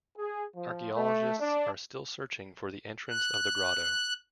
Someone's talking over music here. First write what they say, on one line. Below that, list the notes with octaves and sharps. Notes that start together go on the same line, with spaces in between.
Archaeologists are still searching for the entrance of the grotto.
G#4
F3
A3
D4
F#6